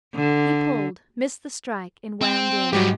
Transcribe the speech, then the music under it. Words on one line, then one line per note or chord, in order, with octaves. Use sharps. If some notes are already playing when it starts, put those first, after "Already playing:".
He pulled, missed the strike, and wound in.
D3
C4
G#2 F#3 G3 G4